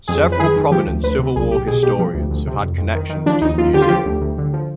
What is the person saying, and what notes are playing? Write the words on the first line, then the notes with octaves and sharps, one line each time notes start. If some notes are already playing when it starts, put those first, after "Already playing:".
Several prominent Civil War historians have had connections to the museum.
F2 G#4
F2
B4
D#3 G#4
D#3
F3 G4
D2
D2 B4
C3
B1 G#4
B1 G4
B2 G#4
B2 G4
F3
D2
D2
C3
F2
F2
D#3
D#3
F3 D4
D#2 D#4
D#2 F4
D3 G4
F4
F3 G4
D2
D2
D3
F3